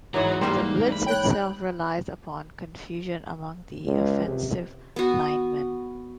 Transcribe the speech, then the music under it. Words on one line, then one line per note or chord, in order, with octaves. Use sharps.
The blitz itself relies upon confusion among the offensive linemen.
G#2 E3 B3 F#4 C#5 A#5
G3 A#3 D#4 C5
D#4
B5
C#5 G5 F#6
C#2
C3
B3 F#4